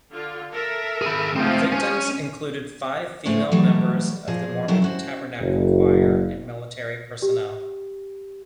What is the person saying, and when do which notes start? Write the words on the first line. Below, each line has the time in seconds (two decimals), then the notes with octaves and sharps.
The victims included five female members of the Mormon Tabernacle Choir and military personnel.
0.12 D3 F4
0.52 A4 A#4 E5
1.02 G#4 B5
1.36 F3 G#3 A3 C4 F5
1.72 C#4
3.25 A2 A3 B3 G#4 C5 C#5
3.52 E3 F#3 G3 A3
4.27 A#2 F3 A#3 G#4
4.68 F#3 G3 E4 A4 A#4
4.82 C#4 F#4 C5
5.40 F#1
7.22 G4